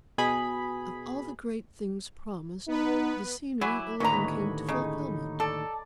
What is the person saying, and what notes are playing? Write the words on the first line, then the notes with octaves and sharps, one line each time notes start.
Of all the great things promised, the scenery alone came to fulfilment.
B2 G#4 B5
B3 D#4 B4
F#3 E4 G#5 B5 D6
D#2 A2 D3 E3 C#5 D#5 A#5 B5
C#3 D#4
A4 D5